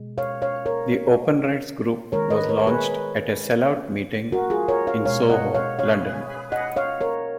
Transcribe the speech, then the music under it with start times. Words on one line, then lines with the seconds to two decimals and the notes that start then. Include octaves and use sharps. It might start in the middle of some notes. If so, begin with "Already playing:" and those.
The Open Rights Group was launched at a "sell-out" meeting in Soho, London.
Already playing: B2 G#3
0.18 C#5 F5
0.42 C#5 F5
0.66 A#4 C#5
2.12 D#3 G#3 A#4 C#5
2.30 B4 D#5
2.49 A#4 C#5
2.59 C#5
2.67 G#4 B4
4.32 F#4 A#4
4.50 F4 G#4
4.68 A#4 C#5
4.87 C#5 F5
5.05 B2 G#3 C#5 F5
5.29 D#5 F#5
5.54 C#5 F5
5.79 C#5 F5
6.52 D#5 F#5
6.76 C#5 F5
7.01 A#4 C#5